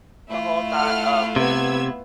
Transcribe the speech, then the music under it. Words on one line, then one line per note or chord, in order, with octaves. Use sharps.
the whole thought of,
A3 E4 F4
A4 F#5 F6
C3 B3 E6 G#6